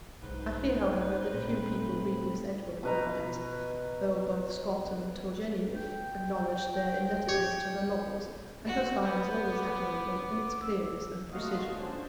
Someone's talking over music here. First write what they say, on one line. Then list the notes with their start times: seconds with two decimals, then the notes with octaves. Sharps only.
I fear, however, that few people read Miss Edgeworth nowadays, though both Scott and Tourgenieff acknowledged their indebtedness to her novels, and her style is always admirable in its clearness and precision.
0.23 B1 G#2 D#4 B4 C5
1.34 A#2 A3 C4 B5
2.83 B2 B4 A#5
5.76 G5
7.29 G4 C#5
8.66 F#4
9.04 B3 G6
9.52 D6
10.62 E6
11.30 A3 A#3 F4 F#4 D#5 F5
11.74 D3 C#4 D4 C5